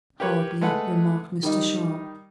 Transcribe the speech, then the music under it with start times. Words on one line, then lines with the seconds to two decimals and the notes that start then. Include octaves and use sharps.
"Hardly," remarked Mr. Sharp.
0.20 G4 A#4 B4 C#5
0.61 G#3 A3 B4 F#5
1.43 D#3 G3 D#4